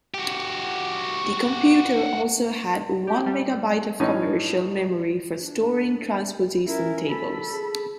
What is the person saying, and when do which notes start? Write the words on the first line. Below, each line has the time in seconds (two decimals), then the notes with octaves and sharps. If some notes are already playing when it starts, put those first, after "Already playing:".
The computer also had one megabyte of commercial memory for storing transposition tables.
0.14 F#4 G4
3.07 G4
3.26 G3
4.00 A2 E3 C#4 D#4
5.40 D4
6.67 C#4 E4 A#4
7.07 A4 B5
7.51 G#4